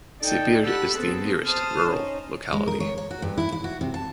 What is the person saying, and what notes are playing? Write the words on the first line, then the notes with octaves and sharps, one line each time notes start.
Sibir is the nearest rural locality.
D#4 A4 D5 G5
G4 A4 F#5 B5 E6 F#6
B3 C4 G#4 A4
C5 A5 D#6 F6
C#4 D#4
G#3
A#4
C#5
C#5
F#4
G2
E4
E4
F#4
C3
A5